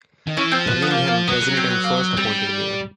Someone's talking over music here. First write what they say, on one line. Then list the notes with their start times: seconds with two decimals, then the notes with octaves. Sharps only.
Willingham, president and first appointed mayor.
0.27 D#3
0.37 E3 C#4
0.52 F3 C4
0.67 B3
0.82 B3
0.91 A#3
1.08 A#3
1.27 F#3 B3
1.42 B3
1.57 C4
1.70 B3
1.84 A#3
1.97 B3
2.17 G3 C4